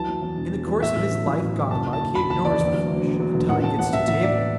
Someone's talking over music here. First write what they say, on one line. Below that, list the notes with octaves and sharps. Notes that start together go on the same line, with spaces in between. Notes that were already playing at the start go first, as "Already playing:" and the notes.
In the course of his life godlike he ignores the flesh--until he gets to table.
Already playing: E3 F#3 A5
E2
E2
E1
E1
E2
A2 E5
A1
F#3
A1
A2
F#3
F#1 A5
F#1
A5
F#1
F#1 B5
F#1 A5
E2 D5
D2 D5
F#3
D2
E1
F#3
E1
A1 F#5
A1 A5
A1 F#5
A1 E5
A1 E5
A1 D5